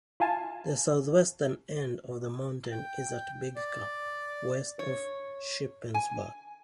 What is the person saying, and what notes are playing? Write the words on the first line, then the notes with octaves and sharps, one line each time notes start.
The southwestern end of the mountain is at Big Gap, west of Shippensburg.
E4 F4 F5 G#5 A5
G5
D5
C#5
G#5